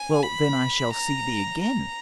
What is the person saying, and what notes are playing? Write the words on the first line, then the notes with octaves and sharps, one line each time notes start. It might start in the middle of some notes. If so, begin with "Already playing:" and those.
Well; then I shall see thee again?
Already playing: G#5
B5
A#5
A#5